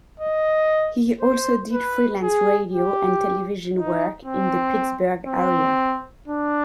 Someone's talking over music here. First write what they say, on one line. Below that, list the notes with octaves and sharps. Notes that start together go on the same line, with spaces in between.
He also did freelance radio and television work in the Pittsburgh area.
D#5
C5
B4
G#4
G4
D#4
C4
C4
D4